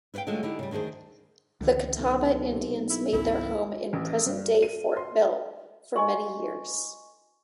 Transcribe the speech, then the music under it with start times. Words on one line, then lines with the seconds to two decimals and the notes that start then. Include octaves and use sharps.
The Catawba Indians made their home in present-day Fort Mill for many years.
0.14 E4 B4 C#5 F5 G5
0.27 D3 F#3 G#3 A3 F4 E5
0.43 D3 D#4 E4 G4
0.59 C#3 G3
0.71 D2 D#3 D4 G#4 C5
1.61 C#2 D3 E3
1.98 B1
2.50 C3
2.90 E4
3.12 G#1 C#2 C#3 E4
3.93 A1
4.26 G2
4.63 D#7
4.97 C6
5.96 D#5 G#5 C6 C#6